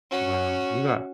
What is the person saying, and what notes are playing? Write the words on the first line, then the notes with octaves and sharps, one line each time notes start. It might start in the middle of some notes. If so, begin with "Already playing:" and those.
Wow. You got
C#4 F#4